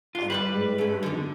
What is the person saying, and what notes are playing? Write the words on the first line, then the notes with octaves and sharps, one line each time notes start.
a more
G2 F4
G3 B4 C5 D5
A3 C#4
D3 D#3